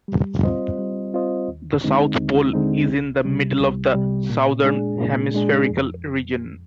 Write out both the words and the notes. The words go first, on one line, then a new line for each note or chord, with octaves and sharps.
The South Pole is in the middle of the southern hemispherical region.
G3
C4 F4 C5 D#5
G3
C4 F4 C5 D#5
D#2
D3 G#3 C4 D#4
D#2
D3 G#3 C4 D#4
C2
C3 G3
C2
C3 G3
A#2
G#3 D4 G#4
A#2
G#3 D4 G#4
F2